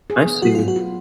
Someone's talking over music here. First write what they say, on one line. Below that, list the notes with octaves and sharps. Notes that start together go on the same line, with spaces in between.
I see.
G#4
B3
F#3 F#4
B3 F4
F#4
F4